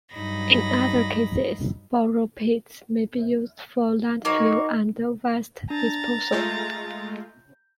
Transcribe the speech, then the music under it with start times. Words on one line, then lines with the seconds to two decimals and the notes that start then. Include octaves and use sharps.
In other cases, borrow pits may be used for landfill and waste disposal.
0.13 G2 F#3 D#4 B5 A#6
4.25 A#3 D#4 F#4 C#5
5.70 D4 A#5 A6
6.32 G#3 A3 F4 G6